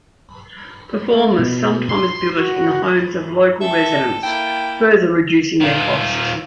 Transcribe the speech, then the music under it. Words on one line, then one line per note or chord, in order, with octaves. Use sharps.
Performers sometimes billet in the homes of local residents, further reducing their costs.
A3
B2
C6
F#4
A4 E5 G5
A#3 E4 G5
D#3 F4